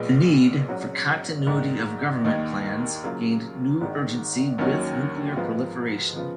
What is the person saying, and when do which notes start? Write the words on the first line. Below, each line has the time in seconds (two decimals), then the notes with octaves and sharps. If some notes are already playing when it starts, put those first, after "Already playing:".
The need for continuity-of-government plans gained new urgency with nuclear proliferation.
Already playing: B1 A#2 G#3 B3
0.68 G#1 G#2 F#3 C#4 F#4
1.46 A#1 G#2 D#3
2.24 D#2 D#3 A#3 D#4
3.03 C#3 F#3 A#3 F4
3.81 G#1 G#2 D#3
4.58 D#2 D#3 F#3 C#4 F#4
5.36 G#2 F3 G#3 B3 F4
6.16 C#3 F3 B3 F4